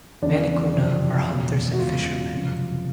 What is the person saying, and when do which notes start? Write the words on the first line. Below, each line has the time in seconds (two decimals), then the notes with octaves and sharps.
Many Kuna are hunters and fishermen.
0.22 E2 C#3 E3 D4
0.75 F#1 F2 C3
1.27 E1 E2 B2
1.73 F#4
1.80 E1 E2 C#3 E3 F4
2.32 F#1 F2 C3 F3